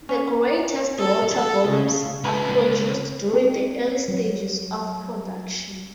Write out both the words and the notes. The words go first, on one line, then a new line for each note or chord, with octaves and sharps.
The greatest water volumes are produced during the early stages of production.
C#4
A4
A4
C#3
C#2 B4
C4
F#3